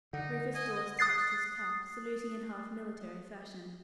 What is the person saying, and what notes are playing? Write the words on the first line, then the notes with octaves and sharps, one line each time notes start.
Rufus Dawes touched his cap, saluting in half military fashion.
D3 D#4 F#5
D#5 G#5
D#6 F#6 A6 C7